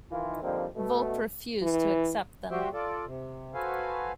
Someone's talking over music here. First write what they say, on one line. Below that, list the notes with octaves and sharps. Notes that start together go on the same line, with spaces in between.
Volpe refused to accept them.
D#3 E3 F4
D3 F3 G3 A#3 C4 D#4
B2 A3
E3
G3 F#4 G4 C5 E5 G5
F4 A4 D5
C3
F#4 A4 B4 C5 F5 G#5